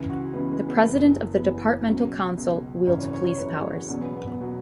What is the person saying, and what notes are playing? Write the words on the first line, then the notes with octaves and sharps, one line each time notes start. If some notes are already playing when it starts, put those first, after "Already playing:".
The President of the Departmental Council wields police powers.
Already playing: C#2 C#3 E3
F#4
C#2 C#3 E3 B3
G#3
B3
F#1 E2 E3
F#1 E2 E3 B3
C#2 B2 F#3 C#4
C#2 B2 F#3
G#1 F#2 C#3 E3 C#5
C#5
C#5
C#5
G#1 F#2 C#3 E3 B4
G#4
F#4
E1 E2 B2 F#3 C#4
B3
B3
B3
B2 F#3